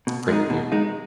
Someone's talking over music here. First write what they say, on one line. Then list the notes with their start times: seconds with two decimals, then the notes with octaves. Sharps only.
Pray clear
0.07 B2
0.28 G#3 D#4
0.50 B2
0.72 G#3 D#4